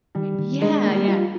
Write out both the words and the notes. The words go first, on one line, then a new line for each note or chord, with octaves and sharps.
Yeah, yeah.
D#3 G3
D#3
G#3 D4
A#3
G3
F4